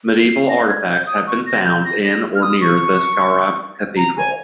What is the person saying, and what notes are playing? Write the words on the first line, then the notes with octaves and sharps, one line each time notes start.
Medieval artifacts have been found in or near the Skara cathedral.
C7
A#6
G#6
G6
D#6
C#6
A#6
G6
A#6
A#6
F6
D#6
C#6
A#5
G#5